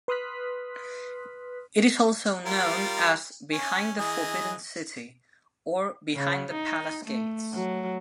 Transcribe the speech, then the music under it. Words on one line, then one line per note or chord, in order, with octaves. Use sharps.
It is also known as "Behind the Forbidden City" or "Behind the Palace Gates".
B4 C6 D#6 F6 F#6 B6
G3 F4 A#4
C#4
E3 G#4 D#5
C#3
D#4
A3
F#3